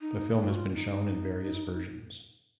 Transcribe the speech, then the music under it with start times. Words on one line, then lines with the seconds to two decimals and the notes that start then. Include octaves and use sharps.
The film has been shown in various versions.
0.01 D#4
0.46 F#4
0.55 F4
0.74 D#4
0.92 D#4